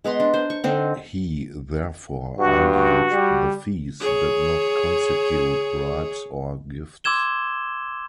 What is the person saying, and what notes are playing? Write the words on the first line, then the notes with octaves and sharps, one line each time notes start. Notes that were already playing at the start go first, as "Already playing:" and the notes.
He therefore argued the "fees" did not constitute "bribes" or "gifts".
G#3 B3 A#5 C6
D4
C5
C#6
D3 C4 D4 D#4
G2 F#4
F#4
G3
G#4 C#5
C6 D6 E6 G#6 E7 G7